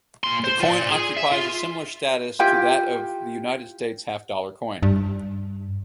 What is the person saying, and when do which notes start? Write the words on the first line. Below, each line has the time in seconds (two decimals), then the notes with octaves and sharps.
The coin occupies a similar status to that of the United States half-dollar coin.
0.24 A#2 C6
0.44 C5
0.60 F4 D5
0.91 G#4
1.17 E5
1.32 F4
2.39 E4 F4 G4 G5
4.83 G2